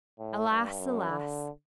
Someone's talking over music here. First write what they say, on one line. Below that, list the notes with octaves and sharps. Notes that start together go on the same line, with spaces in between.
Alas, alas!
A2
G2
F#2
D3